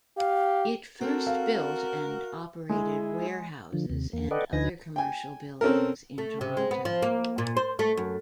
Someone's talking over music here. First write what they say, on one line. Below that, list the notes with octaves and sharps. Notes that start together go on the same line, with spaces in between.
It first built and operated warehouses and other commercial buildings in Toronto.
G4 F5
C4 F#4 A4 A#4
F5
G#3 E4 G#4
D3 F3
D#2 C3
E2 A#3
A4 B4 D5 D#5 F#5 G5
D2 D3 D#4 B4 G#5 A#6
G5 G#5
C4 C#4 A4 A#4
A3
C3
G#3
B3
F3
A#3
A#2
C5
A3
F#2